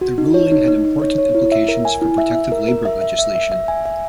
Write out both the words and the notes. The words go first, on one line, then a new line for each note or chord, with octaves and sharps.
The ruling had important implications for protective labor legislation.
F#4
D#4
C#5
D#4
D#4
D#4
C#5
C#5
E4
E5
A#4
G#5
E4
E5
E5
A#4
A#4
E5
E5
E5
E5
E5
G#5
E5